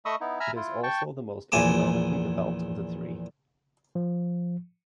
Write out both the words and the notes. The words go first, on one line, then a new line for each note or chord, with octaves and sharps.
It is also the most economically developed of the three.
A3 D#5 B5 C#6 D#6 E6
B3 D#4 E4
E5 G#5 A#5 B5 E6 F6
E4 F4
G5 A5 C#6
A#1 E2 G#5 A5 D6
F3